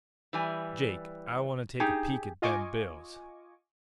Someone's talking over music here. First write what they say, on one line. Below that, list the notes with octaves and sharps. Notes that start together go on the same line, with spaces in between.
"Jake, I wanta take a peek at them bills."
E3 G3 G#5
D#4 G4 G#4
F4 D#5 G#5 C#6 D6